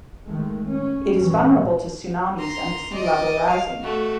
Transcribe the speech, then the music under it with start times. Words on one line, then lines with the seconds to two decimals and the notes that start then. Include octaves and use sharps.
It is vulnerable to tsunamis and the sea level rising.
0.26 D#3 G#3 A3
0.69 C#4
1.16 G2 A#2 E3 C#4
2.39 A#5 C6
2.94 D5 D#5
3.49 F5
3.82 A3 F#4